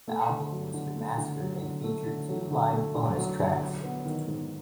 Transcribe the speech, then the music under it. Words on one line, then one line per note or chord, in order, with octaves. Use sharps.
The album was remastered and features two live bonus tracks.
A3
D3
F#3
D3
A3
D3
F#3
D3
A3
D3
F#3
D3
A3
D3
F#3
D3
F#3
B3
D#3
G#2